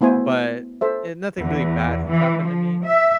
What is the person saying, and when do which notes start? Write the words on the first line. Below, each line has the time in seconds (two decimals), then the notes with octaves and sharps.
but, eh, nothing really bad has happened to me.
0.01 A3 B3 E4 C5 G#5
0.81 A4 C5 E5
1.39 E2
2.10 E3
2.42 F3
2.86 E5